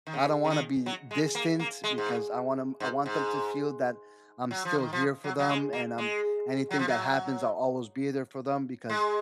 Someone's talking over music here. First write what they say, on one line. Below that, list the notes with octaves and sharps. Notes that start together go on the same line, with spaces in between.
I don't wanna be distant, because I want 'em I want them to feel that I'm still here for them, and, um, anything that happens I'll always be there for them, because
D#3
C#3
C#3
D#3
F#3
G#3
A#3
A#3
G#3
G#2
A#2
G#2
G#2
F#3
F3
D#3
F3
F#3
F#3
G#3
A#3
G#3
F#3
F3
F#3
G#3